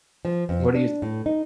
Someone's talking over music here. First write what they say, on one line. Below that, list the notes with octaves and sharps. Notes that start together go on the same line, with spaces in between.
what are you th
F3
F2
D4
A2
D#4